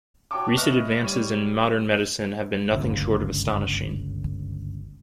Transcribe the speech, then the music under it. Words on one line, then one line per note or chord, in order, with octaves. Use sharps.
Recent advances in modern medicine have been nothing short of astonishing.
F#4 C#5 G5 A5 C#6 D6
B4 D#5 E5 C#6 F6 F#6
G3 C#5 C#6 D#7
G1 C#2 F#2